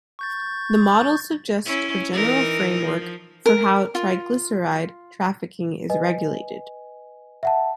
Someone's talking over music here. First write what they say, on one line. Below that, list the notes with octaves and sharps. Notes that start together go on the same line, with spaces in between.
The model suggests a general framework for how triglyceride trafficking is regulated.
C#6 G6 A6
C#4 E4
E3 D#4 A#4
F3
A#4
F4
B4 D#5 G#5
E5 F#5 A5